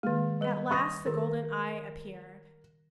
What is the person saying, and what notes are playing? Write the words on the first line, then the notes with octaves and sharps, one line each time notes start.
At last the golden Eye appeared.
D#3 G#3 A#3
G3 B4
C#6 D#6 A#6
D#3 G#4 A#4